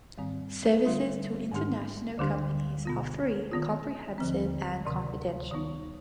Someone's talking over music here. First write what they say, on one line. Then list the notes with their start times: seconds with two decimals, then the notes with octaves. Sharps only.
Services to international companies are free, comprehensive and confidential.
0.18 G#2 D#3 G3 C4
0.85 D3 G3 D4 F4
1.52 G#2 D#3 G#3 D4 G4
2.18 D2 D3 G3 D4 G4
2.85 B2 B3 F4
3.51 D#3 B3 F4
4.18 D#2 D3 F3 C4
4.85 D2 C3 D#3
5.51 D#3 G3 B3 D#4